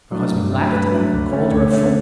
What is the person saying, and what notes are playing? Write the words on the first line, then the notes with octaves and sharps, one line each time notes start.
Her husband laughed at her, and called her a fool.
F#3 A3 D4
G2
F#3 A3 D4
G2 B4
F#3 A3 D4
D2
D3 A3 C#4
D2 C#5
D3 A3 C#4